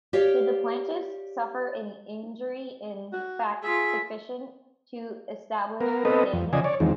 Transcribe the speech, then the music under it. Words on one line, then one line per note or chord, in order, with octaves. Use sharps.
Did the plaintiffs suffer an injury in fact sufficient to establish standing?
G4 C#5 D5 F5
F#4
F4 G#4 E5
B3 A#4
B3 C4 A4 B4 D#5
F2
C#3 F3 D5 D#5 G#5
C#5 D5
E2 D#3 F3 G#3 C4